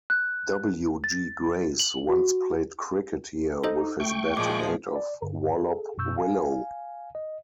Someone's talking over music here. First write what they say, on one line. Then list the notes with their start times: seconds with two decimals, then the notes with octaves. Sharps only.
W. G. Grace once played cricket here, with his bat made of Wallop willow.
0.10 F#6
1.04 A6
1.80 F#7
2.09 F#4
3.64 D#4 A4 C5 D#5
4.00 A3 G5 C#6
4.37 A#2 F3 G#3 D6
4.96 D5
5.22 G2 D3
5.56 G#4 A4
5.98 F#2 B2 C#6 E6 G6
6.18 F5 G#5
7.15 D#5